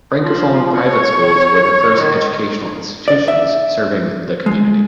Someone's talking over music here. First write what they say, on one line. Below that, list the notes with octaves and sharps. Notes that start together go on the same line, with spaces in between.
Francophone private schools were the first educational institutions serving the community.
F3
C#5
D#3
D5
E5
G#3